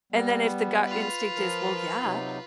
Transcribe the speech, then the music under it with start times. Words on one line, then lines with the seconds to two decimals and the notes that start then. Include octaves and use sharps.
And then if the gut instinct is, "Well, yeah."
0.12 G3 B3
0.86 F4 B4
1.36 F3 A#4
2.04 C3 F#3 D#4